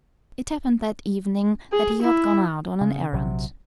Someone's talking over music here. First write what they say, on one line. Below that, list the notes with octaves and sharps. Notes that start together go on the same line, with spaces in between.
It happened that evening that he had gone out on an errand.
G#4
E4
C#3
A#1 C3 F#3